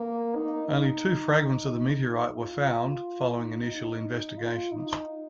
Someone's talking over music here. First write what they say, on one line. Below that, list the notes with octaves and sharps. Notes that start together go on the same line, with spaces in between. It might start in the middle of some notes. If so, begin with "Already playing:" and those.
Only two fragments of the meteorite were found following initial investigations.
Already playing: A#3
D#4
D#4
D#4
F4
D#4
D#4
D#4
F4
D#4